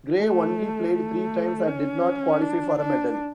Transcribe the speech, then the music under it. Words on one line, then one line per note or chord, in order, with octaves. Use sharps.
Gray only played three times and did not qualify for a medal.
A3
A3
C#4
D4
D4